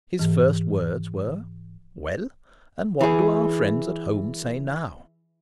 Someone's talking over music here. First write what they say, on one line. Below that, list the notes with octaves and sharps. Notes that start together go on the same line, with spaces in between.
His first words were, "Well, and what do our friends at home say now?"
G#2 E3
E3 G#4